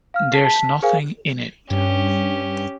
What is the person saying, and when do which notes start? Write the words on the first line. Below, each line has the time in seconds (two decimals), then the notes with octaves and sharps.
There's nothing in it.
0.14 F5 F6
0.32 G#4 A5 B6 C7
0.45 A5 B6
0.83 G#4 A#4 C5 F5 G#5
1.71 G2 C#4 G4